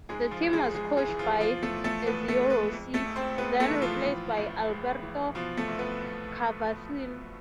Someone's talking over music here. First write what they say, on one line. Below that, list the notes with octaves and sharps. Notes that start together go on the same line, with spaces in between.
The team was coached by Ezio Rossi, then replaced by Alberto Cavasin.
G#2 G#3 G#4
F3 F4
A1
G#3 G#4
G#3 G#4
G#3 G#4
E3
F3 F4
B2 F3 F4
A3 A4
E2
A3 A4
E2 B3 B4
A3 A4
G#3
B3 B4
F2
A3 A4
F1
C4 C5
G#3 B3 B4
A3 A4
E3
F3 F4
A2
A1
G#3
E3
B2 F3 F4
A3 A4
C2
B3 B4
C2